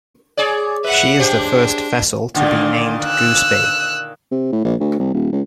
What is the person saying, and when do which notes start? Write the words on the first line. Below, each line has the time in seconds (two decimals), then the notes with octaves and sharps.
She is the first vessel to be named "Goose Bay".
0.37 G#4 C#5 D5
0.84 B4 E5 F#5
1.19 G#3 D4 G4 C5
2.34 A#2 D3 D#3
3.03 E6 F#6
4.31 C3
4.52 A2
4.65 A#1
4.80 D2
5.00 C2
5.14 D#1
5.32 C#2